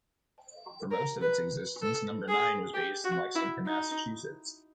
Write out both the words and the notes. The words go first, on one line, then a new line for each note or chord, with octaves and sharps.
For most of its existence, Number Nine was based in Lexington, Massachusetts.
A#4
B4
A4
G#4
G4
F#4
E4
D#4